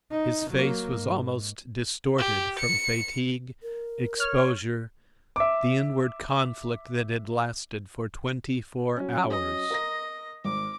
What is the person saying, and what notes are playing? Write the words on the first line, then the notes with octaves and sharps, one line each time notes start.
His face was almost distorted from fatigue, exposure, the inward conflict that had lasted for twenty-four hours.
D#4
F#3 A#3
G#2
G4
C#7
A#4
C#5 F6
E5 D6
F#3 C#4
D#5
A#4 A#6
G#1 D6